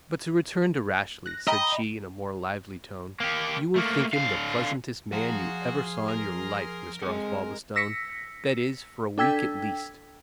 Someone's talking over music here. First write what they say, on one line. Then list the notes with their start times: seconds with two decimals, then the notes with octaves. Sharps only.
But to return to Rashleigh," said she, in a more lively tone, "you will think him the pleasantest man you ever saw in your life, Mr. Osbaldistone,--that is, for a week at least.
1.26 F#6 A#6
1.48 D#5 G5 A#5 B5
3.20 A#3 G4
3.76 A3 A#3
4.13 D3 F5
5.12 F3 F#4 G#4 F5 A#5 C6 F6
6.08 A#4
7.02 G#3 C4 A4 F#5
7.76 E6 A#6 B6 C#7
9.18 D4 A4 G5 E6 G#6 B6